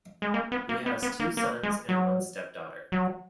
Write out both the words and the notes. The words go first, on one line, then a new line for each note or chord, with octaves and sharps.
He has two sons and one stepdaughter.
G#3
A#3
B3
A#3
B3
B3
A#3
A#3
G#3
F#3
F#3